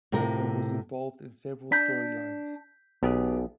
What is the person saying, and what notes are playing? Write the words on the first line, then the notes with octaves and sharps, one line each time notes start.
Hebner was involved in several storylines.
A2 C3 F4 A#4
D4 G6 B6
B1 B3 G4 G#4